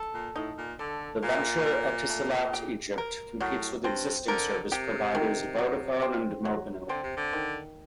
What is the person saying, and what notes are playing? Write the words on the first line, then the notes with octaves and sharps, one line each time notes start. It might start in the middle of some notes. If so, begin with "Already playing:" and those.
The venture, Etisalat Egypt, competes with existing service providers Vodafone and Mobinil.
Already playing: A4
A#2
A2 D#4
A#2
D3 A4
A#2 A#3
A#4
A3
G4
A#4
A2 F#3
G2 C4
D3 A#4
C3 G4
D#3
F#3
C4
F#3
D3 C4
C3
D3
D#3